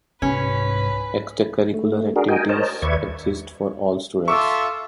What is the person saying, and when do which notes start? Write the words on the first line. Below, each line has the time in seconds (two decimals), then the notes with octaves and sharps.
Extracurricular activities exist for all students.
0.22 C2 G#2 C#4 B4
1.74 A3
2.16 D4 F#4 G#4 A#4
2.28 F#4 A#4 D#5 G5 G#5
2.49 A#4 C5 C#5 D#5 A5
2.82 D#2 B4 D5 E5 C#6 G#6
4.28 F4 A4 E5 C#6 D6 E6